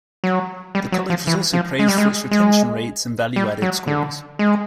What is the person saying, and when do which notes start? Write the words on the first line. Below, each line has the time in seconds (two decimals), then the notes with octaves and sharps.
The College was also praised for its retention rates and value-added scores.
0.24 F#3
0.75 G3
0.92 F#3
1.10 F3
1.27 E3
1.53 F3
1.79 G#3
1.88 G3
1.98 G#3
2.31 G#3
3.36 G3
3.62 F#3
3.87 D3
4.39 G#3